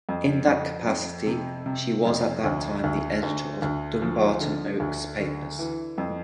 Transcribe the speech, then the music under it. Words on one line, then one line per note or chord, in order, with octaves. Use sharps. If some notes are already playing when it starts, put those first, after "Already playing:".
In that capacity, she was at that time the editor of Dumbarton Oaks Papers.
F2
F2
F2
C3
C3
F2
D2
D2
D2
D2
F3
D3
D2
D3
E3
F2